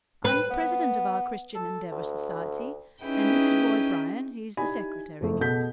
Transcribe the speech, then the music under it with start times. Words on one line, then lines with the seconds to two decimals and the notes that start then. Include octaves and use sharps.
I'm president of our Christian Endeavor Society, and this is Roy Bryan; he's the secretary.
0.25 B4
0.51 B3
1.55 A4
1.92 D2
3.03 C#4 D#4 E4 G#4 B4 G5
4.57 D#4 E4 G4 D5 G#5 B5
5.21 F#1 F2 A3
5.40 B2 G#4 A4 G6 B6